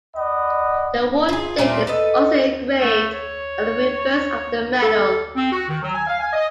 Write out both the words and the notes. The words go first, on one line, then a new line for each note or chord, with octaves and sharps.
The award date is also engraved on the reverse of the medal.
D5 D#5 F#5 B5
F4 G#4
A#2 G3 A3 C4
A4 B4 D#5
A3
C#5
A4
C4
F#4
D#3
F#3
G#5
F5
G#5
D#5